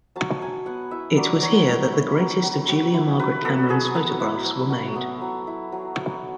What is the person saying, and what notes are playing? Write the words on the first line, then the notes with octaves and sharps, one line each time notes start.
It was here that the greatest of Julia Margaret Cameron's photographs were made.
F#3 A5
F#3 G#5
B3 F#5
E4 E5
F#3 D5
F#3 C#5
F#3
E4
F#3
F#3
F#3
E4
F#3 B4
B3 A4
F#3 G#4
F#3 A4
E4
F#3
F#3
B3
F#3
E4
F#3
F#3